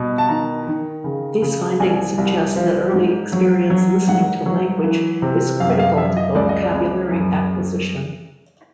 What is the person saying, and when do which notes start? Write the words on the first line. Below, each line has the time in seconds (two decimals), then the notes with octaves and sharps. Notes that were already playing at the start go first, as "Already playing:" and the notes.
These findings suggest that early experience listening to language is critical to vocabulary acquisition.
Already playing: C2 B2
0.18 A5
0.28 D#3 A#5
0.67 D#3
1.04 C#3
1.42 C#3
1.80 C2 G#5
2.18 C2
2.56 F3
2.94 G#2
3.32 F#3
3.70 F#3
4.07 G#2 F#5
4.46 F#3
4.84 E3
5.22 C3
5.60 F#2 F5
5.70 E5
5.79 F5
5.97 F#2 E5
6.17 D#5
6.35 C#2 D5
6.49 D#5
6.63 D5
6.74 C#2
7.11 F#2